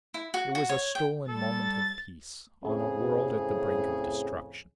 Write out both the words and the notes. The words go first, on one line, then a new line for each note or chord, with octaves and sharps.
It was a stolen moment of peace on a world at the brink of destruction.
E4
F#4
F#4
C#5
G5
G3 A4 A6
F2 A2 C#3 C4 C#4 G#4